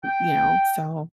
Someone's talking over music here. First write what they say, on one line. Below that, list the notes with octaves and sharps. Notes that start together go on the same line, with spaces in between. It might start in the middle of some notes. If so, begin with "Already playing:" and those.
you know? So,
G5